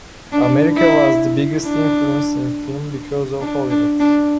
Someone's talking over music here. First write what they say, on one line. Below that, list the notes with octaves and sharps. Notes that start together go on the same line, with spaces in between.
America was the biggest influence in film because of Hollywood.
D4
E4
D4
D4
D4
D4